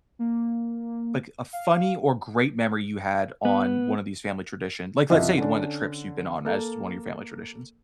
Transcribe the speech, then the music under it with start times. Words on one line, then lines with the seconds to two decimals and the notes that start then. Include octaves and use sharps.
like, a funny or great memory you had on one of these family tradition? Like, let's say, one of the trips you've been on as one of your family traditions.
0.19 A#3
1.53 F5
3.45 B3
5.10 F#1 C2 F3 D#5 E5
5.38 D3 C#4 D4
6.45 A#3 A4